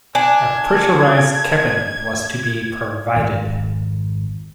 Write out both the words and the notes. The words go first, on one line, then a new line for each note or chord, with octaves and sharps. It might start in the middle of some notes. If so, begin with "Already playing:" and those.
A pressurized cabin was to be provided.
D4 G#5 G#6
G#1 F2